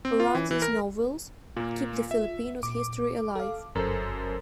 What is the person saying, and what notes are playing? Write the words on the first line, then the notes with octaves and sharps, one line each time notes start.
Uranza's novels keep the Filipinos' history alive.
C4
F4
E3
E3
A#4
A#2 A#3 F4
E5
A#2 D6
A4 F5
G1 F#2 A4 A#4 C5